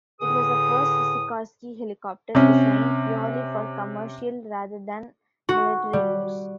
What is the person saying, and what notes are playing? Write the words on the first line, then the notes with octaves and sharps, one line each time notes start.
It was the first Sikorsky helicopter designed purely for commercial rather than military use.
A2 D3 G#4 B4 D#6
C3 C#4
F#4
G3